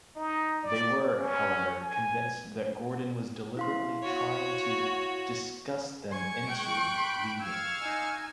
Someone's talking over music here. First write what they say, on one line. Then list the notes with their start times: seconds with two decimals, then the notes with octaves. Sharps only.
They were however convinced that Gordon was deliberately trying to 'disgust them into' leaving.
0.16 D#4
0.64 D5
1.19 C#4
1.81 G#5
3.57 E4 F5 C6
4.02 F#4 C#5
6.12 G#5 C#6 G#6
6.48 G#3 G5 F#6 D7
6.89 B5
7.41 F5 C#6 E6 F6 G#6
7.81 D#4 G#5